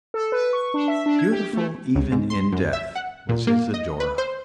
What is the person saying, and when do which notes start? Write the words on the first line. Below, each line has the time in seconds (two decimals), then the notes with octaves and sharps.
Beautiful, even in death, was Isidora.
0.14 A4
0.32 B4
0.53 C#6
0.74 D4
0.88 E5
1.06 D4
1.19 G#6
1.31 G4
1.53 A3
1.95 C#2
2.12 G#2
2.30 C6
2.52 F#2
2.73 E5
2.95 F#5
3.29 A#2
3.47 A#3
3.74 D#5
4.00 B4
4.18 C5